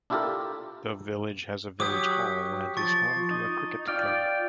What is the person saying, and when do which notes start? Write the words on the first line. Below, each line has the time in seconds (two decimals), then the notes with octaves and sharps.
The village has a village hall and is home to a cricket club.
0.10 D4 E4 F4 G4 A4 A#4
1.80 F#3 G4 D6 D#6 G#6
2.77 F3 C#6 A6
3.31 D#4
3.88 F4 D5 G5 F6